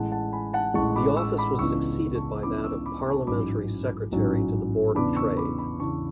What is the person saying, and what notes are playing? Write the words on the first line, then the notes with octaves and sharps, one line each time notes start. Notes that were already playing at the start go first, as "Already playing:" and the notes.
The office was succeeded by that of Parliamentary Secretary to the Board of Trade.
Already playing: A1 A2 G#3 F#5 A5
F#5 A5
G#5 B5
F#5 A5
A1 A2 G#3 A5 C#6
B5 D6
C#6 E6
B5 D6
C#2 C#3 E3 B3 D4 C#6 E6
A5 C#6
C#2 C#3 E3 B3 D4 B5 D6
C#6 E6
B5 D6
A5 C#6
A1 G#2 F#3 C#4 B5 D6
A1 G#2 F#3 C#4
E2 C#3 E3 B3 D4 B5 D6
C#6 E6
B5 D6
B5 D6
E2 C#3 E3 B3 D4 A5 C#6